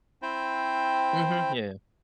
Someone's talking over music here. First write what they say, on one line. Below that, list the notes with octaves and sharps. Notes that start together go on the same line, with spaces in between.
Mhm, yeah.
C4 E4 C5 G5